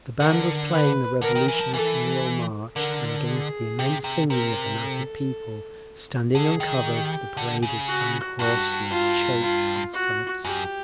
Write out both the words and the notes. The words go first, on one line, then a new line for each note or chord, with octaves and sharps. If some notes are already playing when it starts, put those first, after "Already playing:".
The band was playing the Revolutionary Funeral March, and against the immense singing of the mass of people, standing uncovered, the paraders sang hoarsely, choked with sobs....
D3 A#4
B4
D3 A#4
D#3
E3
F3
E3 A4
D3 A#4
G#4
C3
C3
C3 A#4
A4
D3 G#4
D#3
G4
D3
C#3
F#4
G2 F#4
F4
F4
F#4
F#2 G4